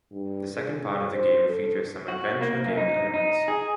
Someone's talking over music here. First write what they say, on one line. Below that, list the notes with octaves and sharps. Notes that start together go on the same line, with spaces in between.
The second part of the game features some adventure game elements.
G2
G#4
C5
A4
F#4
A#3
F#2
D#4
D#4
G#4